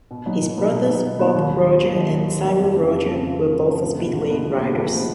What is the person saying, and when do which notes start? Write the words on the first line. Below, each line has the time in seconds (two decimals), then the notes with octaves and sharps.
His brothers Bob Roger and Cyril Roger were both speedway riders.
0.11 B2
0.26 F#3 B3 D#4
0.41 B2
0.57 F#3 B3 D#4
0.72 B2
0.88 F#3 B3 D#4
1.04 B2
1.19 F#3 B3 D#4
1.35 D#2
1.49 D#3 F#3
1.66 D#2
1.81 D#3 F#3
1.96 D#2
2.12 D#3 F#3
2.28 D#2
2.42 D#3 F#3
2.59 F2
2.75 C#3 F3
2.90 F2
3.06 C#3 F3
3.21 F2
3.36 C#3 F3
3.52 F2
3.67 C#3 F3
3.83 D2
3.98 C3 F3 G#3 B3
4.13 D2
4.30 C3 F3 G#3 B3
4.46 D2
4.60 C3 F3 G#3 B3
4.76 D2
4.91 C3 F3 G#3 B3